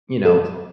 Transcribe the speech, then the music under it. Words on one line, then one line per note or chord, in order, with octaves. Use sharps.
you know, s
A4